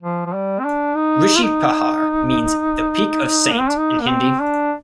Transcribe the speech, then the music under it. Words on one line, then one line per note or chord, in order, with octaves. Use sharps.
Rishi Pahar means 'The Peak of Saint' in Hindi.
F3
F3
G3
C4
D4
D#4
F4
D#4
A#3
C4
D4
D#4
A#3
C4
D4